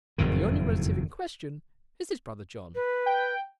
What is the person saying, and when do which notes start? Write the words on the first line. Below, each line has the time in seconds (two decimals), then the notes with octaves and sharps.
But the only relative in question is his brother John.
0.18 F#1 F2 A2 D#3
2.75 B4
3.06 G5